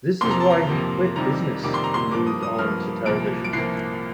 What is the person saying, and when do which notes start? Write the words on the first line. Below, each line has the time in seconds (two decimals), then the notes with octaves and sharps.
This is why he quit business and moved onto TV.
0.21 F2 C3 F3 A#3 C6
0.31 A#5
0.40 A5
0.50 A#5
0.69 F2 C3 F3 A#3
1.15 F2 C3 D#3 G3 A#3 A#5
1.63 F2 C3 D#3 G3 A#3 D6
1.74 C6
1.84 A#5
1.94 C6
2.11 G2 F3 A#3 D6
2.27 D#6
2.43 D#6
2.59 G2 F3 A#3 F6
3.06 C2 A#2 F3 A#3 D7
3.44 D7
3.53 C2 A#2 F3 A#3 C7